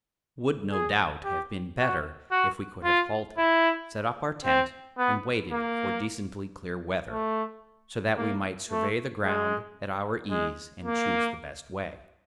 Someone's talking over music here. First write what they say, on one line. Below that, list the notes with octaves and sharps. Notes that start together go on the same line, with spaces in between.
It would, no doubt, have been better if we could have halted, set up our tent, and waited for decently clear weather, so that we might survey the ground at our ease and choose the best way.
G#4
G4
F#4
F#4
F4
E4
C4
B3
A#3
A3
A#3
A3
G#3
G#3
A#3